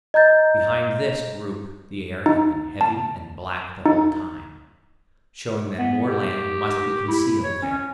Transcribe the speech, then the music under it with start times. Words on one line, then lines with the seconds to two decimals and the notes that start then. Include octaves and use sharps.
Behind this group the air had been heavy and black the whole time, showing that more land must be concealed there.
0.14 D#5 A#5 G6 A6
2.26 D#4
2.81 A5
3.86 D#4
5.78 B3
6.07 G4
7.08 E4
7.44 C#5
7.62 C#4